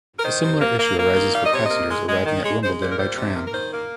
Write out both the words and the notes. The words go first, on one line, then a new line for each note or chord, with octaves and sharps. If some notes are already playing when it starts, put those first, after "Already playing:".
A similar issue arises for passengers arriving at Wimbledon by tram.
A#4
D#3 C5
C3
A#3
A#3
A#3
D#3
G3 F5
D#5
C3 C#5
D#5
A#3
G#3
G#3
D#3
G#3 C#5
G#3 C5
A#2 C5
A#4
G3 C5
C3
A#3
A#4
D#3 C5
A#3